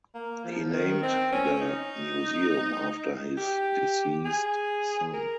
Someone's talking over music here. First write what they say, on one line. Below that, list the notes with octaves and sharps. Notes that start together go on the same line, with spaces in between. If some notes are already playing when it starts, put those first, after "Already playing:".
He named the museum after his deceased son.
A#3
F3
D#3
C4
C#4
D#4
G4
G#4
A#4